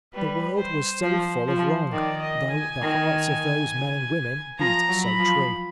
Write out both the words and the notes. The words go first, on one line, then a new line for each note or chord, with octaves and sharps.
The world was so full of wrong, though the hearts of those men and women beat so true!
G3 B4
C5
F3 C5
F3
D#3 D5
D#5
G#5
D#3
F3 A#5
F#3
B5
F3